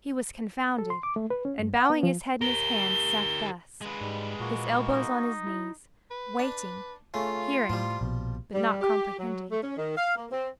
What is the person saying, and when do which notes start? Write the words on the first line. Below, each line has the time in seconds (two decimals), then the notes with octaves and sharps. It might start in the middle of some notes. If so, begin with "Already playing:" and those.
He was confounded, and bowing his head in his hands sat thus--his elbows on his knees--waiting, hearing, but not comprehending.
0.78 A4
0.90 C6
1.03 D6
1.16 A3
1.30 B4
1.45 C#4
1.59 G2
1.76 F#5
1.90 B3
2.03 F3
2.41 G4 A#4 G7
3.81 G#3 B4
4.01 G#2 G3
4.40 A#2 A#3 F#4
4.89 D#4
5.47 E4
6.11 B4
6.39 D4
7.14 C#3 A3 F4
7.70 A2 F3 G3
8.01 A#1 B2
8.54 G3
8.81 G4
9.19 F#3
9.51 A3
9.63 C#4
9.77 D#3
9.97 F5
10.17 A#3
10.32 C4